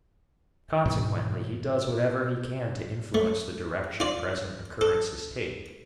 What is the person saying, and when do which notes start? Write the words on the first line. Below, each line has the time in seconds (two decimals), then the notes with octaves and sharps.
Consequently he does whatever he can to influence the direction present occurrences take.
0.86 G#2 B2 E3
3.14 A3
4.00 F4 D5
4.81 A4